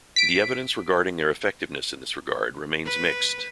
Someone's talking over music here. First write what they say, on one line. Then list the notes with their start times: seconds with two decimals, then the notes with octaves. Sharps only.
The evidence regarding their effectiveness in this regard remains mixed.
0.16 B6 D7
2.86 B4